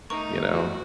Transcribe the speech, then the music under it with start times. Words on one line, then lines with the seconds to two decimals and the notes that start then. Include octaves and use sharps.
You know,
0.10 A3 D#4 A#4 A#5 C#6
0.50 F#4